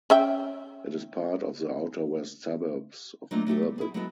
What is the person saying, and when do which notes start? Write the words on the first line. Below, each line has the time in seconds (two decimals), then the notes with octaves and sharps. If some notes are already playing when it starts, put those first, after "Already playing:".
It is part of the outer West suburbs of Durban.
0.10 C#4 E5 G5
3.31 F#3 A3 A#3 D4 D#4 F4
3.47 F#3 A3 G4 E5
3.63 G3
3.78 E4 G#4
3.94 F#3 G#3 B3 E4 F#4 A4